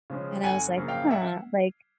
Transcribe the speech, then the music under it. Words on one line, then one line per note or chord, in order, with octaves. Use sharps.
and I was like, "Huh," like,
C#3 F3 G#3 C#4
G1 F#5 G#5
F#2 C#3 F3 A#3
F5 G5
E5 F#5